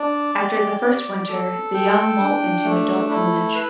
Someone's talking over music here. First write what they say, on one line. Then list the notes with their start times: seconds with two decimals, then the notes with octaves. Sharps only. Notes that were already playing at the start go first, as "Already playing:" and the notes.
After the first winter, the young moult into adult plumage.
Already playing: D4 D5
0.38 G4
0.84 D5
1.29 A4
1.74 G5
2.20 D4
2.64 A3
3.10 E4
3.54 B4